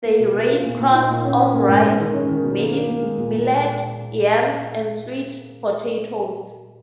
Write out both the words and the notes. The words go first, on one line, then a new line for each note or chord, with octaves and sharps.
They raise crops of rice, maize, millet, yams, and sweet potatoes.
A#3
B2
B2
F4
A#2
A#2
D#4
A#2
C#4
C#4
A#3
G#2
G#3
D#3
C#4
D#3
B2
A#3
A#3
A#3
G#3
A#2
A#2